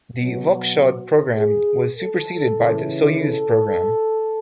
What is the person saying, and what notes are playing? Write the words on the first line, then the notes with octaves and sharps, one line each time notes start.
The Voskhod programme was superseded by the Soyuz programme.
B2 F#3 F#4
G#4
A4
C#3 E3
A4